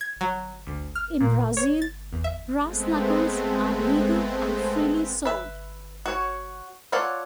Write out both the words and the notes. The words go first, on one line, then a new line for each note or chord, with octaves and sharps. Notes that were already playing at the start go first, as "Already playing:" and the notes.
In Brazil, brass knuckles are legal and freely sold.
G#6
F#3
D2
F6
A#2
C#5
A6
E2
E5
G#3 A3 B3 C4
B4 E5
F#4 C#5
F4 A4 C#5 D5 F#5